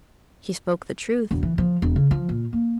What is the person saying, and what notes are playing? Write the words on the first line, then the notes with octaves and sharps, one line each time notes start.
She spoke the truth.
E1
E3
F3
E1
C#3
F3
A#2
A#3